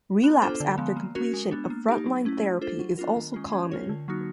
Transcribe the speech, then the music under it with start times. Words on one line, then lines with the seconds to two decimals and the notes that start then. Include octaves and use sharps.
Relapse after completion of frontline therapy is also common.
0.24 B3
0.42 D4 F4 A4 C5
0.60 D3
0.78 F3 G#3 B3
0.97 A#3
1.15 C#4 F#4 A#4
1.34 G#3
1.51 B3 D4
1.70 A#3
1.88 D#4 G4
2.06 F#3
2.25 A3 C#4 E4
2.43 A3
2.61 D4 F4 A4 C5
2.79 F#3
2.98 B3 D4 F4 A#4
3.16 D#3
3.34 G#3 C#4 F4
3.53 C#4
3.72 F4 A#4 C#5
3.89 D3
4.08 F#3 A#3 D#4 F#4